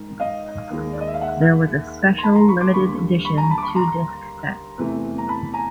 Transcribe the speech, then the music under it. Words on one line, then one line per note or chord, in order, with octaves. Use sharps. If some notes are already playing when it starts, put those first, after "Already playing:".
There was a special limited-edition two-disc set.
Already playing: G#2 D#3
D#5 F5
D#2 D#3 G#3
D5
D#5
E5
F5
E5 F#5
C6
A5 B5
A#5 C6
B5 C#6
C6 D6
D#2 D3 G3 B5 C#6
B5 C#6
G#5 A#5
A5 B5
D6
B5 C#6
A#5 C6
E2 C3 E3 A3
A#5
A5 B5
G#5 A#5